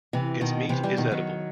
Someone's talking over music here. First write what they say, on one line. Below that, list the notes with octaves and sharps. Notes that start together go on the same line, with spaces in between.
Its meat is edible.
C3 E3
B2 D#3
C3 E3
E3 G3
B2 D#3
D#3 F#3